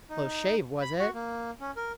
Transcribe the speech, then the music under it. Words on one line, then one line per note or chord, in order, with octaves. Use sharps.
"A close shave, was it?"
D#4
B5
F#4
A#3
C#4
A#4